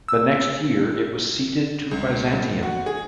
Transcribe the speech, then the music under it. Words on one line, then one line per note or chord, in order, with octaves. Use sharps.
The next year it was ceded to Byzantium.
E6
C#2
A2
F#4
G#4